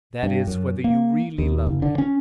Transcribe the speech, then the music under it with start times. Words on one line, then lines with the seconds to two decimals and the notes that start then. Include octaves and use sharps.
"That is, whether you really love me?"
0.23 G2
0.47 F#2
0.84 A#3
1.38 D#2
1.67 F#1
1.82 D3
1.98 C#4